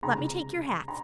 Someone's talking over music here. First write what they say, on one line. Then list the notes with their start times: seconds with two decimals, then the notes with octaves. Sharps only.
Let me take your hats.
0.02 C#2 C3 F3 G#3 A#5
0.88 A#5